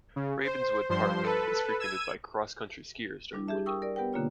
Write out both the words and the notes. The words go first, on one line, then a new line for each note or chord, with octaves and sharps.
Ravenswood Park is frequented by cross-country skiers during the winter.
C#3
C5
G2 F3 C5 C6
A4 B4
E6 G#6 D#7
G3 D4 E4
G4 G#4 E5 A5
A#4 G5 C#6 D#6 E6
A#4 D5
B3 G4 A#4 B4 F#5 G5
B2 D3 A#3 D4 F4 C#5